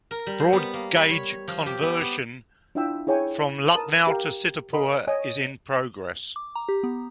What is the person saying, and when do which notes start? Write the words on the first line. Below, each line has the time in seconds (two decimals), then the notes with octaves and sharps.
Broad Gauge conversion from Lucknow to Sitapur is in progress.
0.11 A#4
0.27 G3
0.40 C5
0.53 B3
0.74 A#3
0.96 B5
1.10 C#5
1.48 F3
1.66 G4
1.82 B3
2.01 B3
2.75 D4 E4 F4 E5 G5 E6
3.07 E4 G#4 C#5 G5 G#5 C#6
3.75 A#4 B4 A5 D#6
4.07 G4 A#4 F5 G5
4.73 A#4 D#5 B5 C6
5.07 C#5 D#5 G#5 C#6 D#6
6.36 D6
6.55 A#5
6.69 G4
6.83 B3